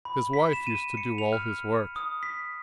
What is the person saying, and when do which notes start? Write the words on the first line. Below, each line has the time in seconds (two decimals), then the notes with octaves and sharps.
His wife used to do all his work.
0.05 B5
0.33 B6
0.53 E7
0.67 D#7
0.97 C#7
1.18 F7
1.33 F6
1.96 D#6
2.23 B6